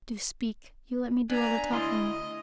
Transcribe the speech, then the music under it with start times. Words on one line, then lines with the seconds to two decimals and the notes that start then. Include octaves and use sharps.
Do speak! You let me do all the talking.
1.30 B3 D4 G#5 A#5
1.71 D2 E4 D#5 C6